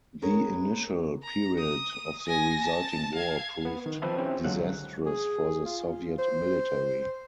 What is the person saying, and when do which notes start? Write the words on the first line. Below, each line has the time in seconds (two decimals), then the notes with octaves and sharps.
The initial period of the resulting war proved disastrous for the Soviet military.
0.22 B3 C#4 G#4 A#4
1.22 A#5
1.59 D#6
2.27 G#5 A#6
2.64 A5
3.15 F5 G#6
3.65 B3
3.86 D#3
4.02 F3 C4 B4 C5 E5 A5
4.17 C4 C#4 E4 G4
4.44 C2 D3 F#3 G#3 F5 F#6
5.06 G#4
5.66 F4
6.19 C5